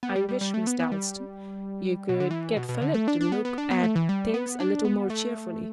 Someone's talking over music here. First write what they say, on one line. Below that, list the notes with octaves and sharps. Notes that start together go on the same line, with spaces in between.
I wish, Miss Dalstan, you could get Philip to look at things a little more cheerfully.
B3
G3
G3
G3
A3
B3
B3
G3
B2
D3
E3
B2
B2
D3
A3
D4
D4
B3
B3
D4
B3
A3
E3
G3
B3
D4
B3
A3